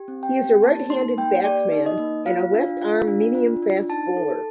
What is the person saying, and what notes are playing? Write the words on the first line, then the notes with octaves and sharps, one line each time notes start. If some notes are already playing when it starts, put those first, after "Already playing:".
He is a right-handed batsman and a left-arm medium-fast bowler.
Already playing: G4
C4
G5
G4
A#3 A5
D#4 C6
A#3 G5
G4 D5
D#4
D#5
A#3
F4 F5
D4
F4
D4
F4
D4
D#4 A5
A4